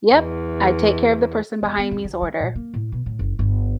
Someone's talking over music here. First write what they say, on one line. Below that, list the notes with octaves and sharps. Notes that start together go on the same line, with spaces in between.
Yep. I take care of the person behind me's order.
E2
E2
B3
F2
D2
G3
A#2
A#3
A2
B2
A2
F#1
G1